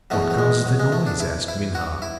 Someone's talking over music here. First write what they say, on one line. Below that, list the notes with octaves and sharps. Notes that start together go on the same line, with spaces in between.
"What causes the noise?" asked Minha.
E2 B2 F#3 A3
F#3
G#3
F#3
G#3
A3
D4
E4
E4
F#4
E4